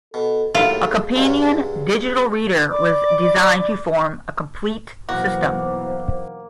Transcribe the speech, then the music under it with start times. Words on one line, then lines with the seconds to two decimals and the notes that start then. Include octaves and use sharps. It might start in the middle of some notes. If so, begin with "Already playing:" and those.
A companion digital reader was designed to form a complete system.
0.14 B2 A4
0.55 D#2 A2 F#3 F4 G#4
1.16 G2 F#3 G#3
2.69 D5 B5 D6
5.09 B1 E3 A#3 F#4 C5